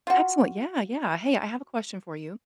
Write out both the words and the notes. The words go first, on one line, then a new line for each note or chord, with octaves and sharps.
Excellent. Yeah, yeah. Hey. I have a question for you.
F4 F#4